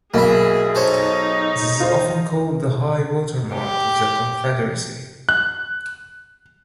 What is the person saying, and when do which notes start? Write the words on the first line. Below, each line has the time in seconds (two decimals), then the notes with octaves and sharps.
This is often called the High water mark of the Confederacy.
0.14 B1 A#3 G#4 E5 B5
0.75 D#4 A4 C5 C#5
1.80 F4 C5
3.54 G4
5.29 F#6